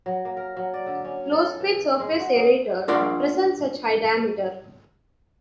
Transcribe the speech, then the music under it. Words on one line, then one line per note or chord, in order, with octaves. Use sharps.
Low speed surface aerator present such high diameter.
F#3
A#3
A#4
F#3
D5
D3
C#4
A4
E3
G#3
F#4
C#3
D4 F4 A#4 D5 F#5